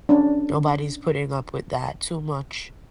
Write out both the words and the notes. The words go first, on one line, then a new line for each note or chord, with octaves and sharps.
Nobody's putting up with that too much.
C#4 D4